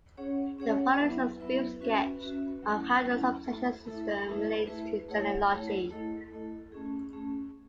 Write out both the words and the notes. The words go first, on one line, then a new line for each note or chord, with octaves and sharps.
The following is a brief sketch of how the subsection system relates to genealogy.
C#4 G#4 C#5 F#5
C#4 G#4 C#5 F#5
F#3 B3 E4 B4 E5
F#3 B3 E4 B4 E5
C#4 F#4 B4 E5
C#4 F#4 B4 E5
F#3 A3 C#4 E4
F#3 A3 C#4 E4
A3 E4 A4 E5
A3 E4 A4 E5
A3 E4 G#4 B4 E5
A3 E4 G#4 B4 E5
A3 E4 G#4 C#5 F#5
A3 E4 G#4 C#5 F#5
A3 E4 A4 D#5
A3 E4 A4 D#5
A3 C#4 G#4
A3 C#4 G#4